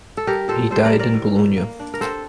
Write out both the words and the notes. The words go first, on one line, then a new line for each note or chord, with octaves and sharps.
He died in Bologna.
A4
G3 G4 A#4
A#2 A4 C5
G3 A4 C5
A#4 D5
G3
A#4 D5
A2
A2
A#3
D4
A#4
C4 A4 C5